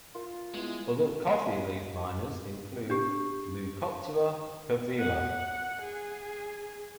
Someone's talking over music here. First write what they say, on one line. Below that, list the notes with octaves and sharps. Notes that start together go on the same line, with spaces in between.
Other coffee leafminers include "Leucoptera coffeella".
F4 A#4
G#3 B3 E4
D4 G4
F#5
G#4